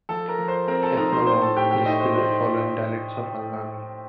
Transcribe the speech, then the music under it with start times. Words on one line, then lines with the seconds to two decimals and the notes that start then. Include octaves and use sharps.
"Ethnologue" lists the following dialects of Angami.
0.09 F3 A4 A5
0.28 A#4 A#5
0.38 F3
0.48 C5 C6
0.68 C4 A#4 A#5
0.83 A4 A5
0.97 D#4 A#4 A#5
1.12 C5 C6
1.26 A2 C5 C6
1.42 A4 A5
1.56 A2 G4 G5
1.71 G4 G5
1.86 A3 D#4 D#5
2.00 C5
2.15 D4 C5